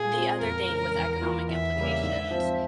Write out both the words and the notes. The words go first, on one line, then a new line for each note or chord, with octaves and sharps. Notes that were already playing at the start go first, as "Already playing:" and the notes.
the other thing with economic implications
Already playing: A#2 G#4
G#3 C4 F4
F2 A#4
C#3 E3 G#3 C#4
E2
E3 A#3 F4
E2 E5
C#3 G3 A#3
G#2
F3 C4